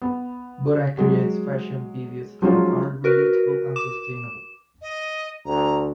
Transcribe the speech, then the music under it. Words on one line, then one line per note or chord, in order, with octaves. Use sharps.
Borah creates fashion videos that are relatable and sustainable.
B3
F#3 G#3
F3 F#3 G#3 C#4 D#4 F4
F#4 A#4 B4
D6 E7
D#5
D2 A#5